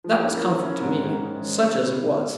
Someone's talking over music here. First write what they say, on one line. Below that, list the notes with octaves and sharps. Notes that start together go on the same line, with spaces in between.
That was comfort to me, such as it was.
F3
A#3 C#4 E4
F3
A#3 C#4 E4
G#2
D#3 G#3 C#4
G#2
D#3 G#3 C#4
D#3
G3 B3